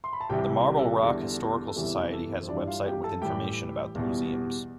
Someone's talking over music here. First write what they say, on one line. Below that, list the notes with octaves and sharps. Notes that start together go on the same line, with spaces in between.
The Marble Rock Historical Society has a website with information about the museums.
C6
B5
A5
C2 C3 E3 G3 G4 G5
G4
A4
E2 D3 G3
A4
E2 C3 E3 G3 G4
A4
C5
G2 E3 G3 D4 D5
F4 F5
G4 G5
A4 A5
A2 E3 G3 G4 G5
E2 B2 G3